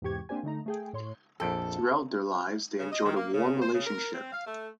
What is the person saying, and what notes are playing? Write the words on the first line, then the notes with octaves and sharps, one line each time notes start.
Throughout their lives, they enjoyed a warm relationship.
E2 G#2 C3 G4 C#6 G#6
A#3 C4 D4 G4 C5 G#5
D3 A3 D#4 A#5
A3 G#4 G5
A2 C#5 C6
A#1 F2 A4 G5
C#3
D#5
D#3
A#3
C#3
C5
C#3
A#4
C4
F5
A3